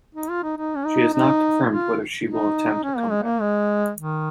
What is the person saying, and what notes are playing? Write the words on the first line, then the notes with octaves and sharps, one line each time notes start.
She has not confirmed whether she will attempt a comeback.
D#4
F4
D#4
D#4
C#4
D#4
D#4
F4
D#4
C#4
A#3
G#3
A#3
G#3
D#3